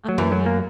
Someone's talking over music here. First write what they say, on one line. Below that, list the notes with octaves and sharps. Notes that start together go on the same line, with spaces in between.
I mean,
F#3
F#2 E3
F#3
A#3